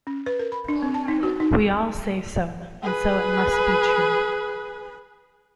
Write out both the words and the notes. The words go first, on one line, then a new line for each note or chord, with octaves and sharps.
We all say so, and so it must be true.
C#4
B4
A#4
B5
D4
C4
A5
D#4
F#4
D#4
G#4 B4